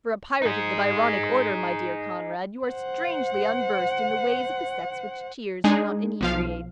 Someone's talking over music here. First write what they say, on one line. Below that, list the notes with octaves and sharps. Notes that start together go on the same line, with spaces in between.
For a pirate of the Byronic order, my dear Conrad, you are strangely unversed in the ways of the sex which cheers but not inebriates.
D#4 G#4
C5 F#5
G#3 D4 D#4 G#4
B1 F3 F5